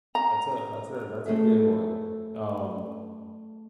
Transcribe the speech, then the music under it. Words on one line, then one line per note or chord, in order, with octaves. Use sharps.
That's a that's a that's a good one. Um,
A#5
A3 G#4 A4 E5